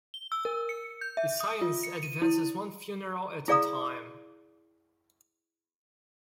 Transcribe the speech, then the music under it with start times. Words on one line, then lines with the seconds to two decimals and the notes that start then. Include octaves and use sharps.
Science advances one funeral at a time.
0.14 G7
0.32 E6
0.45 A#4
0.69 C#7
1.01 G6
1.17 E5
1.40 D#6
1.61 F4
1.83 C#7
2.03 D#7
2.22 E4
3.48 E4 G#4 D5 F5 A#5 D#6